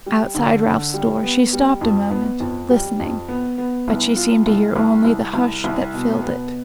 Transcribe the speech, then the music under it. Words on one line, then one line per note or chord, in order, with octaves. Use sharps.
Outside Ralph's door she stopped a moment, listening, but she seemed to hear only the hush that filled it.
G3
D3
D3
G3
B3
G3
F2
B3
F2
G3
F2
B3
B3
C2
F4
C2
C2
C2
C2
C2
B2
B3